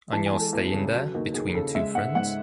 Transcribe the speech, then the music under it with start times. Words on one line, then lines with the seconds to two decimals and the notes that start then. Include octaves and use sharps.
And you’re staying there, between two friends?
0.13 E3 A5
0.26 G#5
0.33 G#3
0.40 A4
0.53 E2
0.74 C#3
0.93 F#3
1.14 D#2
1.34 D#2 G#4
1.54 C#3 A4
1.75 G#3 E5
1.95 G#2 F#5
2.15 G#2 F#5